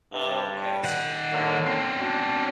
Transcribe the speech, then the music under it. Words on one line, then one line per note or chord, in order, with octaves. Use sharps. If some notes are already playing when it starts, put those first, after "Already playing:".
Oh, okay. So, close.
G2
D#3 F#5
D3 F#3 A#3
C4 C#4
D4 F#4